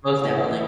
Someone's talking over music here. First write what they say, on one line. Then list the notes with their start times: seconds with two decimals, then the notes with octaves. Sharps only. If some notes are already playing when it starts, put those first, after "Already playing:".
most definitely.
0.22 A1 A2 E3 A3 F#5
0.35 E5
0.49 D#5